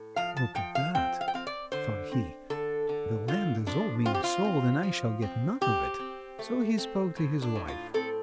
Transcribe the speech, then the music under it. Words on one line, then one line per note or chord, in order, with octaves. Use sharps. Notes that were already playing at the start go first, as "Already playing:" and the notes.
"Look at that," thought he, "the land is all being sold, and I shall get none of it." So he spoke to his wife.
Already playing: A2
F3 F5
A5
F3 G5
F5
C4 G5
F5
G5
C4 F5
D5
D3 C5
C4
D3 A4
D3
D3 F4
F3 D4
C4 F4
G4
F4
C4
F3
C4
C4 G4
C4
A3
C4
A2
D4
A2
F4
C4 A4